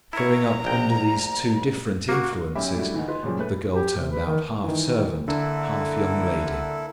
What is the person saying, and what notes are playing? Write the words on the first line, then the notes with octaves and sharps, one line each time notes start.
Growing up under these two different influences, the girl turned out half servant, half young lady.
E4 C#5 A#5
A#1 G5
A#3 F#4
B1 C#4 G4 E5 B5 D6
G3 A3 D4 E4 F#4
D2 D#3 E3
D#4 F4 B4
F#2 A#2 C#3 F3 G3
A3 B4
G4
C3
B4
D#3
D#3 E3
D3 A#3 E4 A4